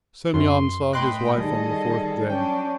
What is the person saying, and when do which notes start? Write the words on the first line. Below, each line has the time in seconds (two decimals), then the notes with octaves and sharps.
Semyon saw his wife on the fourth day.
0.34 F#2 C6
0.93 A2 D#5 G5 B5 C6 D6 F#6
1.37 D#3 G3 G#4 A4
2.29 F#3 C#4 D4 G5